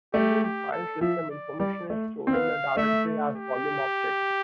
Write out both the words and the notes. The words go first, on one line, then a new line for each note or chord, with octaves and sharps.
Even file system information is stored in the directory as "volume objects".
A3 G4
G4
A4
F3 E5
D5
G3 D5
A3
C4
B3 F5
A3 E5
G4